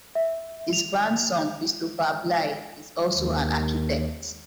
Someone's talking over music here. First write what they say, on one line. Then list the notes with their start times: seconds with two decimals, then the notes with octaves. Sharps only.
His grandson Christopher Bligh is also an architect.
0.15 E5
0.73 F7
3.15 D#2